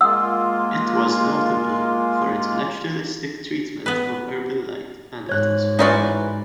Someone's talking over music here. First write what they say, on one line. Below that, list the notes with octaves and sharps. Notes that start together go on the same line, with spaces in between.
It was notable for its naturalistic treatment of urban light and atmosphere.
G#3 A#3 F4 F#5 D#6 E6
B3 B4
G#2 C#5 F#6
E3 D#4 F4 F#4 D5